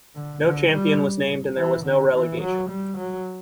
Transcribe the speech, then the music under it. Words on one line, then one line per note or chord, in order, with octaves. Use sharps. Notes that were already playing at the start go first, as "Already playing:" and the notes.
No champion was named and there was no relegation.
D3
D3
G3
E3
D3
E3
F#3
G3
F#3